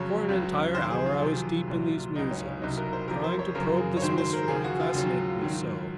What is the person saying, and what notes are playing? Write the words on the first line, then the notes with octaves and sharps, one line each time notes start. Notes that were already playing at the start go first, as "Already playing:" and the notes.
For an entire hour I was deep in these musings, trying to probe this mystery that fascinated me so.
Already playing: F2 C#3 F#3 C#5
C#2 C#3 F#3
F2 D#3 F#3 C5
G#4
F4
F2 C3 D#3 F#3
C2 A#2 F#3
C#2 C#3 F#3 D#4
C#4
C#4
C2 C3 F#3 D#4
A#4
C5
F2 C3 F3 A#4
C5
C#5
F#2 C#3 F#3 A#4
G#4
C#5
G#2 D#3 F#3 C5
C5
A#4
D#2 C#3 F3 G#4
F#4
F4
D#2 C#3 F#3
G#2 D#3 F#3